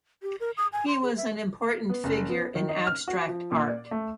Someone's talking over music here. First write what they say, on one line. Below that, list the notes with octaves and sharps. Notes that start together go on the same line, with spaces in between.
He was an important figure in abstract art.
G4
A#4
D#6
G#5
C6
G#4
E5
B3
F#1
B3
D#3
D#4
F6
F#4
F3
A#2
D5
A3